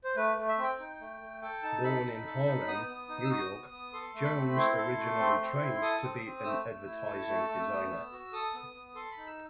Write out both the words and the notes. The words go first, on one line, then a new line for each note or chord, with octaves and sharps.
Born in Harlem, New York, Jones originally trained to be an advertising designer.
C5
A3 B4
A3
E5
C4 G5
D#4
A3
A3
A4 G5
D#4 A5
A4 B5
D#4
A4
D#4
B3 D#6
B3
D#4
E6
F#4 D#6
B3
B3
A4 C6
A3
B5
C4
E4 C6
A4
A3
C4
C4
E4
A4 D#6
C4
C4
A3 E6
A3
E4
A4
A3
A3
B3
B3
F#4
A4 D#6
B3
B3
A4 C6
B5
D#4
E6